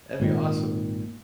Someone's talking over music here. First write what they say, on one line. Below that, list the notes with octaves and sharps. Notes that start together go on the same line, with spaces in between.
That'd be awesome.
G#1 A#2 D#3